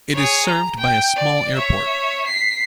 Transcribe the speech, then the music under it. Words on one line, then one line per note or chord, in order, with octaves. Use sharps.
It is served by a small airport.
G#4 C#5
A#5
G5
D5
C#5 E5
B6 C7